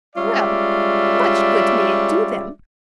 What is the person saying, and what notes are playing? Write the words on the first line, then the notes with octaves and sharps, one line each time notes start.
Well, much good may it do them!
G3 G#3 C#4 F4 D5 E5